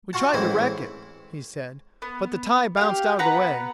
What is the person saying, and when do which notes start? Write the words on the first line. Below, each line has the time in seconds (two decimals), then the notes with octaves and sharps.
"We tried to wreck it," he said, "but the tie bounced out of the way."
0.13 F4 F#4 F#5 A5
0.33 A1 G#2 E3 C4 E4 E5
2.02 B3
2.77 G4 F5
3.19 B3 B4 F#5 A#5